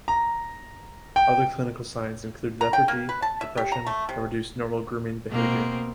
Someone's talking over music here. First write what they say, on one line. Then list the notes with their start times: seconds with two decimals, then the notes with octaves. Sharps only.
Other clinical signs include lethargy, depression, and reduced normal grooming behaviour.
0.08 A#5
1.16 G5
2.61 A#5
2.73 G5
2.88 A#3
3.09 B4
3.22 A5
3.41 E5
3.57 G4
3.72 A#5
3.86 A3
4.09 C3
5.30 B2 A#3 C4